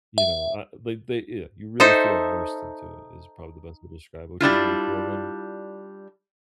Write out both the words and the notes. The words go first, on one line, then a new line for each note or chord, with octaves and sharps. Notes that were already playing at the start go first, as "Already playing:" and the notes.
you know uh, they they yeah, you really feel immersed into it, is probably the best way to describe it, which is really cool, and then
E5
D#4 A4 C5 E5
G3 D4 E4 F4